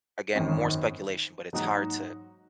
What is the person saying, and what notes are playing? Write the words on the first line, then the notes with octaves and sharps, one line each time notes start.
again, more speculation, but it's hard to
G#1 F#2 D#3
G#2 F#3 D#4 F#4